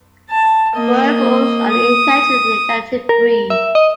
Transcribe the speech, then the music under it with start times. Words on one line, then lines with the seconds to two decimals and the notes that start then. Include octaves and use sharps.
Boerboels are an intelligent and energetic breed.
0.29 A5
0.76 A#3 D#5
1.70 D#6
3.09 A#4
3.50 E5
3.75 D#5